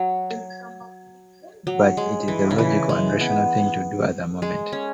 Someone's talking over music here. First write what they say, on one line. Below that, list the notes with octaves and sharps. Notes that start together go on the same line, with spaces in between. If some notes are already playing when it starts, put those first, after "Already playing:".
But it is the logical and rational thing to do at that moment.
Already playing: F#3
F#3
G#3
E3
C#3
E3
G#3
B3
G#3
C#4